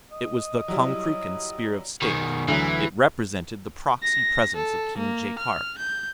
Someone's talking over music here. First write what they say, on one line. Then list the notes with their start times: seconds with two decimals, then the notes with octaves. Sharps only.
It was the Konkrookan Spear of State; it represented the proxy-presence of King Jaikark.
0.12 D#5
0.68 F#3 G3 E4
2.02 B2 D#3 G#4 C#6
2.48 D2 D3 E3 F#3
4.03 A#6
4.56 A4
4.98 A#3
5.39 F6
5.78 G6